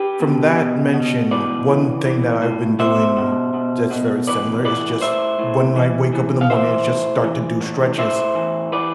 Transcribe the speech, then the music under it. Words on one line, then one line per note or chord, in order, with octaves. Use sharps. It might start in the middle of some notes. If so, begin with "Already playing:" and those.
from that mention, one thing that I've been doing that's very similar is just when I wake up in the morning, I just start to do stretches,
Already playing: G4 B4
B2
B2
B2
E3 B4 D5
E3
E3
A2
B2 C5 E5
B2
B2
B2
E3 B4 D5
E3 B4 D5
A2 C5 E5
A2
E3
E3
F5
E3 C5 E5
A2
E3
A2
A2 C5 E5
E3
E3 B4 D5